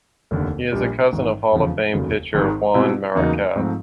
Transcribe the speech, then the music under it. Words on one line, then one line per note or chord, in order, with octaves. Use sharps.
He is a cousin of Hall of Fame pitcher Juan Marichal.
F1 D#2 D3
A#1 A#2 G3
A1 G#2 D#3
F1 E2 C#3 F3
F1 D#2 C#3 F#3
G#1 G#2 D#3 G#3
B2 G3 C4 E4
E2 C#3 F#3 A#3 D#4
G#2 F3 A3 C4